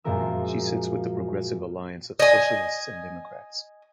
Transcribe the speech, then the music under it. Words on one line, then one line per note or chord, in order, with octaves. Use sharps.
She sits with the Progressive Alliance of Socialists and Democrats.
F#2 A#2 F3 G#3 A#4 E6
D#5 G#5